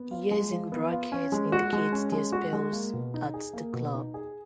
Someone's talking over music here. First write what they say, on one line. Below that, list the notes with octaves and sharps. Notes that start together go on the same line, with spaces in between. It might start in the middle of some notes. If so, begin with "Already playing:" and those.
Years in brackets indicate their spells at the club.
Already playing: B3
F4
G#3
F3
B3
F4
C#4
G#3
F#4
G#3
C#4
G#3
F#4
G#3
A#3
B2
D#4
G#4
A#3
B2
D#4
G#4